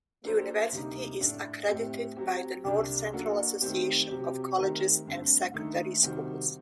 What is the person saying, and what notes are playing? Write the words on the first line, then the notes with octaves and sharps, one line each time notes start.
The university is accredited by the North Central Association of Colleges and Secondary Schools.
F#3 A#3 D4 A4 C5
D2 C3 G3 A#3 D#4
A2 A3 D4
A2 A3 C4 G4
F#3 C4 G4
C2 C3 G3 D4 G4
F#3 A#3 D4 F#4 A4
D#3 A3 C4 G4
C3 F#3 C4 G4
D#3 A3 C4 G4 A#4
G2 D3 A3 C4
D#2 D3 A3 D#4
C3 D#3 G3 C4 F#4